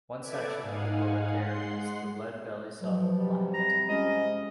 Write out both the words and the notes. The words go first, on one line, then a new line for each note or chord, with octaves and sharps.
One section of the book parodies the Lead Belly song "Black Betty".
A4 B4 D5 E5 D6 G#6
G#2 D#4 F5 F#5 G#5
G#3 F#5 C6 C7
B2 F3 F#3
C3 G3
A#5
F2 G#3 C#4 D#5